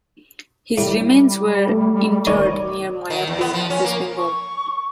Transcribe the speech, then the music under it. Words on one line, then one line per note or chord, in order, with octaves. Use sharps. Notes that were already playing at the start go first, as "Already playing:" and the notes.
His remains were interred near Mayapur, West Bengal.
A2 G3
A3
D#4 A#4 C#5 D5
D#3
E2
B3
F3
C#4
A#3
C#6